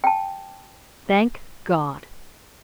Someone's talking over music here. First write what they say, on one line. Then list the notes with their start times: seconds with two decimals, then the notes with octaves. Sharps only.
Thank God!
0.04 G5 A5